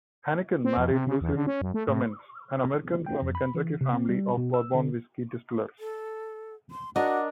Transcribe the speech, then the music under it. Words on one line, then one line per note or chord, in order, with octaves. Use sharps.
Heineken married Lucille Cummins, an American from a Kentucky family of bourbon whiskey distillers.
C4
F2
C3
C#3
E2
D3
C#4
F#2
A3
A2
G5
F2
B5
E3
C3
C4
G3
B2
E6
D3
A4
C6
D4 F#4 A#4 D#5 F#5